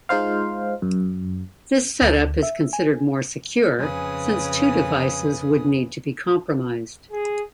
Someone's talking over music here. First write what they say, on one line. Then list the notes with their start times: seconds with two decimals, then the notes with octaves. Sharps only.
This setup is considered more secure since two devices would need to be compromised.
0.09 G#3 D#4 F4 C5 F5
0.82 F#2
2.01 D2
2.43 E5
2.73 G#5
3.77 F2 C#3 B4 G#5 D#6
7.11 G#4